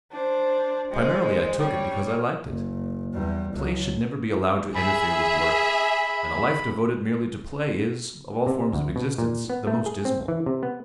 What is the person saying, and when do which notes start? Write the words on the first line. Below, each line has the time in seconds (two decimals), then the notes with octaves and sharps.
Primarily I took it because I liked it. Play should never be allowed to interfere with work; and a life devoted merely to play is, of all forms of existence, the most dismal.
0.11 D4 C5
0.91 G#3 C5
1.59 G3 C#5
2.45 F#1
3.13 E2 G3
3.53 C#2 F#3
4.75 G#4 E5 B5
8.46 C3
8.73 D2
8.96 B2
9.18 A#2
9.50 B3
9.67 A3
9.86 G#4
10.05 C4
10.28 E3
10.46 C3
10.63 B3